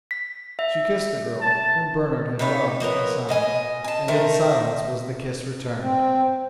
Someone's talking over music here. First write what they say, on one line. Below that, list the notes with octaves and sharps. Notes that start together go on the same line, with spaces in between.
She kissed the girl, whom Bernard had loved, in silence; and in silence was the kiss returned.
B6
E5
A5
C3 D#4 B4 C#5
F3 B3 A#4 C#5
B2 D#5 G#5
G#5 A5
D#3 A3 A#4 C5
C4